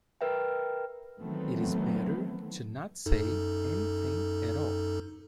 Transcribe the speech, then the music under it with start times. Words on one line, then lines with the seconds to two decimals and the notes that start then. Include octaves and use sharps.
It is better to not say anything at all.
0.21 A#4 B4 E5 G5
1.21 D#3 E3 F#3 A3 B3 C4
3.06 F#2 D#4 A4